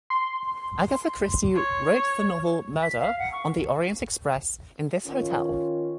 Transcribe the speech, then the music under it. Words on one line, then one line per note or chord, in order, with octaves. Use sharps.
Agatha Christie wrote the novel "Murder on the Orient Express" in this hotel.
C6
C#5
B6
F5
F#5
C#6
D#3 C#4 F4